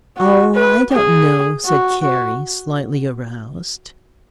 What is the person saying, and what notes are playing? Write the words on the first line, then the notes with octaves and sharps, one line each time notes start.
"Oh, I don't know," said Carrie, slightly aroused.
F#4
B4
G#4
F#4
F#4